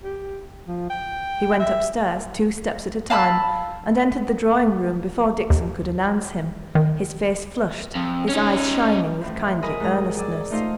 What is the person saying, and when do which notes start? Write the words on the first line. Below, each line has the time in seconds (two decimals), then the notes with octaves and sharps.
He went upstairs two steps at a time, and entered the drawing-room before Dixon could announce him,--his face flushed, his eyes shining with kindly earnestness.
0.03 G4
0.68 F3
0.90 G5
1.60 E5
3.10 F5 A5 B5 E6
5.50 D#2
6.75 D#3
7.96 F2
8.29 C#4 D#4
9.21 A2 E3 F3
9.62 G#4 A#4 D#5 G#5 B5 D#6
9.80 G#2 G#3 A#5
10.17 G#4 D5 E6
10.51 A3 D#4 F4 C5 D#5 F5